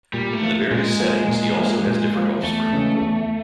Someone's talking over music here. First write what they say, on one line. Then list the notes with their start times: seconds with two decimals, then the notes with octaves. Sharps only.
In the various settings, he also has different offspring.
0.13 A#2 G3
0.33 A3
0.42 F3 A#3
0.71 A#2 G#3
1.00 F3 A#3
1.29 A#2
1.57 F3 A#3
1.87 A#2
2.16 F3 A#3
2.43 E2 A3
2.73 C#3 E3 G#3
3.01 E2